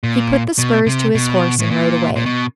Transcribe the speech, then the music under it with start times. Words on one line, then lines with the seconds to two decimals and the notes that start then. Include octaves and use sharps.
He put the spurs to his horse and rode away.
0.03 A#2
0.59 B2
0.87 C3
1.15 B2
1.60 A2
1.70 A#2
2.16 A#2
2.26 B2